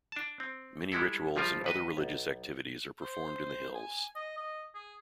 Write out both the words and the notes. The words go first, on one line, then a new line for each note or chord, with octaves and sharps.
Many rituals and other religious activities are performed in the hills.
D4 A5
C4
G3 G#3 E4 A4
A#1 F3 G3 F4 A#4
D#2 B4 D#5
B1
C5
G#5
D#5
D#5
G#4